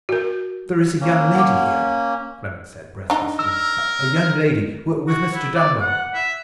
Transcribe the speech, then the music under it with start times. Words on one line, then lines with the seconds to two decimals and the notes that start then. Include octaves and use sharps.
"There is a young lady here," Clement said, breathlessly; "a young lady--with Mr. Dunbar."
0.09 F#4 A#4
1.01 A#3 C#4
1.35 F#5 D6
3.10 D4 D#4
3.39 A#4 E6
5.07 F#4
5.34 E4
5.55 D5
5.81 F#5
6.14 E5